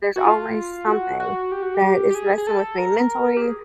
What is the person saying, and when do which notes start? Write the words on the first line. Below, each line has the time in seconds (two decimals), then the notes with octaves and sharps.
there's always something that is messing with me mentally
0.16 F#4
0.24 F4
0.87 F#4
1.20 F#4
1.52 G4
1.63 F#4
1.75 G4
2.10 G4
2.15 G#4
2.38 G#4
2.47 A4
2.78 A#4
3.37 G4
3.42 G#4